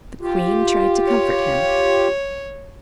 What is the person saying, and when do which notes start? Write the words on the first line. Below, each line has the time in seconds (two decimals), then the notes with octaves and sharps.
The queen tried to comfort him.
0.21 F4 G4
1.08 C#5